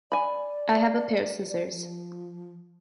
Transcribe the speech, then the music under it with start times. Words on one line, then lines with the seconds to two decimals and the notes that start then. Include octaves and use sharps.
I have a pair of scissors.
0.12 D5 G#5 B5
1.49 D5
1.71 F3